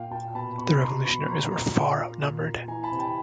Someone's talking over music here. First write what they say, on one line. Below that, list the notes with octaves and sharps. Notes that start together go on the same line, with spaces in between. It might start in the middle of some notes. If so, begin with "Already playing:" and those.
The revolutionaries were far outnumbered.
Already playing: A#2 F5 G5
A#2 G5 A5
B2 A5 B5
B2 B5 C#6
B2 A#5 C6
B2 B5 C#6
A#2 A#5 C6
A#2 A#5 C6
A#2
A#2
A#2
A#2
E3 G#5 A#5
A5 B5
C3
G5 A5